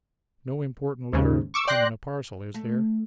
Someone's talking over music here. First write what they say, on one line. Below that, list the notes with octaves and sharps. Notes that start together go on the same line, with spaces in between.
No important letter come in a parcel, is there?'
D#2 G#2 C#3
C#6 D6 E6
D5 G5 C6 F#6 A#6
A3